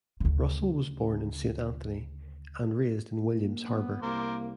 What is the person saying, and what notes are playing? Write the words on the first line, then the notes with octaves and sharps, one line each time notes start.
Russell was born in Saint Anthony and raised in William's Harbour.
D2 C#3
A#3
B3
C2 A#3 A#4 C5 D6